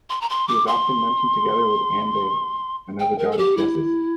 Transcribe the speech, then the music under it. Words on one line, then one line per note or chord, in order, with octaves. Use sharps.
He is often mentioned together with Anbay, another god of justice.
C6
A#5
C6
D6
C6
G5
A#4
A4
G4
E4